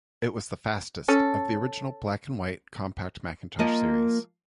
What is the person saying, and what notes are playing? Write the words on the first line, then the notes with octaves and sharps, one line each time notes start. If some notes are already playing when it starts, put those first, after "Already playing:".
It was the fastest of the original black-and-white compact Macintosh series.
C#4 A4
F3 A#3 D#5